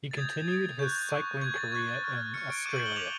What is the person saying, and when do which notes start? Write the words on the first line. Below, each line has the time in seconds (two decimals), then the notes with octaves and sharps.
He continued his cycling career in Australia.
0.11 A6
0.17 D#6 G6 G#6
0.48 D#6 G6
0.79 C#6 F#6 G6
1.10 C#6 F#6
1.41 C#6 F#6 G#6
1.57 A6
1.72 C#6 F#6
2.04 C#6 F6
2.34 C#6 F6 C#7
2.50 D7
2.66 D6 G6 D#7
2.76 F#7
2.86 G7
2.96 D6 G6 F7